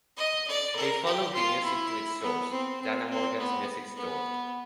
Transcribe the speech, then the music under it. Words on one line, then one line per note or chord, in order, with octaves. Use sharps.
They followed the music to its source, Dana Morgan's Music Store.
D#5
D5
A#4
G4
F4
E4
B3
C4
C4
C4
B3
B3